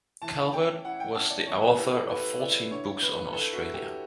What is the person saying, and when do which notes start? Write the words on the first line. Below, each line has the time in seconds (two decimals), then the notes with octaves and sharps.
Calvert was the author of fourteen books on Australia.
0.22 E3 A5
0.53 C#4 G5
0.85 E4 F#5
1.00 G5
1.15 C#4 A5
1.30 D5
1.47 E3 C#5
1.62 B4
1.77 E4 G4
1.93 A4
2.08 E4 B4
2.39 E4 D5
2.70 D3 C#5
3.02 D3 B4
3.32 E4 A4
3.53 F#4
3.64 E4
3.74 G4